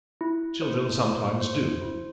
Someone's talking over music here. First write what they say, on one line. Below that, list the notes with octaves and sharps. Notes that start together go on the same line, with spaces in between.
Children sometimes do.'
E4
C5
C5
C5
E4